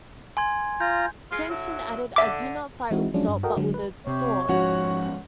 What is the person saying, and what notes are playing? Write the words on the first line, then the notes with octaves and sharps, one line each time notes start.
Kenshin added, "I do not fight with salt, but with the sword".
G#5 C6 G#6
F4 A#5 G6
G#3 F4
D3 F#3 E4
D3 E5 D6
E3 G#3 C4 D#4 E4 F#4
F3 F#3 G#3 C#4 D4 F4
G2
F#4 A4 A#4 D#5 G5
D3 F#3 G#3
B4
C3 C#5
G#2 F3 C#4 F#4 F#5